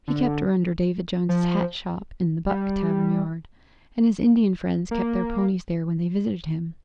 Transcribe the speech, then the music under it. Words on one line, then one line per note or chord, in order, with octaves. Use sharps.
He kept her under David Jones's hat shop in the "Buck" tavern yard, and his Indian friends kept their ponies there when they visited him.
D3
F3
G3
A#3